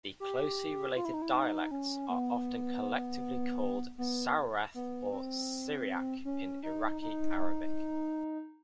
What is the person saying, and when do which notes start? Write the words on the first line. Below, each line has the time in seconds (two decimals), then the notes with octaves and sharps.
The closely related dialects are often collectively called "Soureth", or "Syriac "in Iraqi Arabic.
0.20 G4
0.96 F4
1.05 E4
1.14 D#4
1.22 E4
1.33 D#4
1.71 C#4
2.09 B3
3.98 B3
4.74 B3
5.12 C4
6.25 C#4
6.63 D#4
7.02 D#4